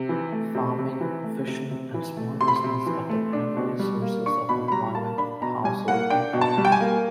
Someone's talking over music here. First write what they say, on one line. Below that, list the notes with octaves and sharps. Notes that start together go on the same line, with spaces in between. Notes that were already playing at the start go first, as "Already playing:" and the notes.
Farming, fishing, and small business are the primary sources of employment and household income.
Already playing: C3
E3
A3
C3
C3
E3
A3
C3
C3
E3
A3
C3 C6
B5
C6
C3
E3
A3
D4
B2
G3
A#3
D4 C#6
B2 B5
B5
G3 A#5
A#3 A5
D4 B5
B2 A#5
G3 G#5
A#3 F#5
D4 G5
B2
A5
G3
G5
G#5
A#3